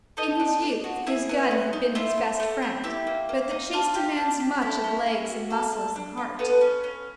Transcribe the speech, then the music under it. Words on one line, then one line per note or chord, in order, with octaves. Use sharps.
In his youth his gun had been his best friend; but the chase demands much of legs and muscles and heart.
D#4 A4 D#5
D4
D4
F#4
E4 G#4 E5
B3
B3
D#4
E4 F4 E5
A3
A3
C4
E4 G4 E5
A#3
A#3
D#4
D4 F4 F5
G4
D4
G4
E4 A4 E5
C#4
C#4
F#4
A4
D4
D4
F4
B3 A4 B4
C#4
C#4